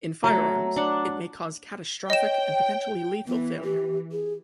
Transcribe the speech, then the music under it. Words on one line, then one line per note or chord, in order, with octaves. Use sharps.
In firearms, it may cause catastrophic and potentially lethal failure.
F#3 A3 A#5
D4 F#5
C#5 D#5 G5 E7
E3 B3
G4
G#4